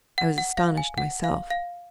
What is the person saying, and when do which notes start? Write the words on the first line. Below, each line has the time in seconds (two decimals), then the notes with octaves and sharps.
I was astonished myself.
0.18 F#5
0.38 F#5
0.57 F5
0.77 G#5
0.98 F#5
1.24 F5
1.50 F5